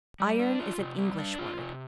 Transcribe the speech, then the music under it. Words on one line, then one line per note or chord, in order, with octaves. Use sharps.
Iron is an English word.
G3
D4
F4
C3
G3
D4
F4
C3